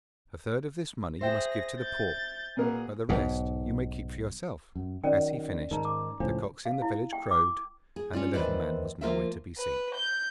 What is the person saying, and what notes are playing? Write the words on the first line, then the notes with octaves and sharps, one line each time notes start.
A third of this money you must give to the poor, but the rest you may keep for yourself.' As he finished, the cocks in the village crowed, and the little man was nowhere to be seen.
G#4 C5 E5 G5 A#6
G6 A6
A#2 F#4 G#4 A#4 B4
B1 G#2
F#2
D#3 F#3 C#4 D5 G5
G#2 D#3 D#4 A#5
D6
C#2 A2 F3 D4
F5
E4
G5
D6
G#4
C#4 F4 D5
D#2 E3 B4 C5 D5
F3 A#3 F4 A#4 C5 E5
B4
G6